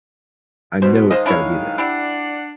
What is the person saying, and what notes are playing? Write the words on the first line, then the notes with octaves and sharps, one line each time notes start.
I know it's gotta be there.
B2 C5
D#3 G#3 C5 D#5 F5
D4 E4 C#5
D4 E4 G4 D5 F#5